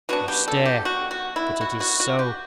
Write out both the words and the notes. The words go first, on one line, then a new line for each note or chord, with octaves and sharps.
You stare. But it is so.
F#3 B3 D4 F#4
G4
A4
G4
F#4
F#4
E4
F#4
F#4
F#4
G4